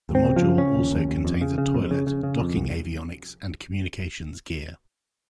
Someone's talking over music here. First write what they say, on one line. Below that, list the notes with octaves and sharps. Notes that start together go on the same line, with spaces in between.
The module also contains a toilet, docking avionics and communications gear.
D#2
C4
C#3
F3
C#3
C#3 C#4
D#2
D#2
D#2
F2
C#3
C#3
F2
C#3
C#3
C#3
F2
C2